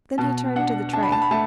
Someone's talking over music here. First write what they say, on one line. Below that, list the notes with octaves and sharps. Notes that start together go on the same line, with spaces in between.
Then he turned to the tray.
B2 A5
D4 F#5
D4 A5
B5
A5
B5
A3 A5